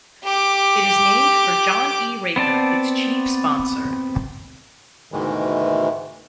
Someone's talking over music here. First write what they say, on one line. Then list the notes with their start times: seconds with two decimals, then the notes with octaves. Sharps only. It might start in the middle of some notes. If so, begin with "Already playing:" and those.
It is named for John E. Raker, its chief sponsor.
0.24 G4 D6
2.36 B3 C4 D5 A5
5.12 D2 G#2 B2 D#3 E3 G#3